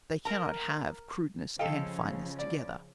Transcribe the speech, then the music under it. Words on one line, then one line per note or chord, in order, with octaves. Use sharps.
They cannot have crudeness and fineness together.
A#4 A#5
C#3 F3 A4 D#5 F5 G5
D5